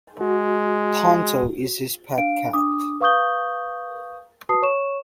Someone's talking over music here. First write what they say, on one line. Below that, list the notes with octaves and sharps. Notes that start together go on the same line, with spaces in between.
Tonto is his pet cat.
G#3 F#4
D4 F5 D7
D4 D6 D#6
B4 F5 C#6 D#6 G6 G7
F#4 B4 A5 D#6 C7
C#5 C#6 E7